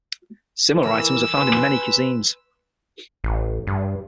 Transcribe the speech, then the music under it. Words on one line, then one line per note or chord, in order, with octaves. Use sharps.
Similar items are found in many cuisines.
E3 A#4 E6
B4 G#5 C6
A1
G2